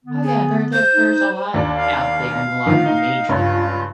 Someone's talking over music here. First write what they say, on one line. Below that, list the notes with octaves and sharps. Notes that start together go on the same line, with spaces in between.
Oh, yeah, there there there's a lot out there, and a lot of the major
D3 B3
G#4
C5 G6
D#4
D#2 D4
F5
D3 D#3 F3
D#4
C#2 G2 F4 C#5